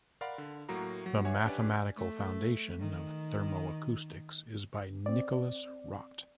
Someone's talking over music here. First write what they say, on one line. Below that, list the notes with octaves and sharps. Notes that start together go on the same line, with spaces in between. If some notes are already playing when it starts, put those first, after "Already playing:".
The mathematical foundation of thermoacoustics is by Nikolaus Rott.
A#4 D5 F5 F#5 B5 C6
D3
A2 F#3 A#3 F#4 A#5
F#3
C#5 E5 F#5 G#5
C#4 D4 G4 B4 D5 G#5
A3
D#3
C4 D5